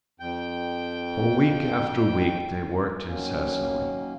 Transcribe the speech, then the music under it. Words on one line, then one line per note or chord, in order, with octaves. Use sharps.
For week after week they worked incessantly.
F2 G5
D#3 F#3 A#3 C#4